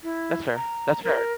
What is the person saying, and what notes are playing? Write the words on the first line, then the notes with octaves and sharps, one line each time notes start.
That's fair that's fair,
E4
A#5
A#4